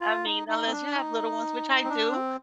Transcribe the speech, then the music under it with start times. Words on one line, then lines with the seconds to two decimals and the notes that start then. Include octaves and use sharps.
I mean, unless you have little ones, which I do,
0.01 F4
0.25 D#4
0.48 D#4
0.67 C4
0.72 D4
0.95 D#4
1.84 C4
1.89 D4
2.12 C4